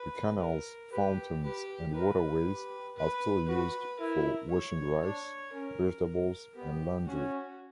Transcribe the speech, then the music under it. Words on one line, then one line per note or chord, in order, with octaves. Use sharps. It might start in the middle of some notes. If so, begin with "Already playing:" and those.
The canals, fountains, and waterways are still used for washing rice, vegetables, and laundry.
Already playing: B4
A#4
G4 B4
G4 B4
A#4 B4
G4
B4
F#4 B4
E4 A#4
C#5
D4 C#5
C#4 A#4
A#4
B3 G4
C#4 F#4